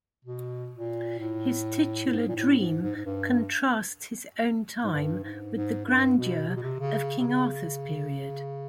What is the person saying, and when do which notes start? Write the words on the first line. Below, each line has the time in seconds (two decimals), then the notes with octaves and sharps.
His titular dream contrasts his own time with the grandeur of King Arthur's period.
0.25 B2
0.72 A#2
1.19 A2
2.07 A2
2.12 G#2
2.29 A#2
2.36 A2
2.59 G#2
2.82 G#2
2.96 G#2
3.06 G2
4.84 G#2
4.93 G2
5.24 G#2
5.55 G#2
5.86 G2
6.17 B2
6.49 C3
6.56 B2
6.63 C3
6.80 C#3
7.19 C3
7.27 C#3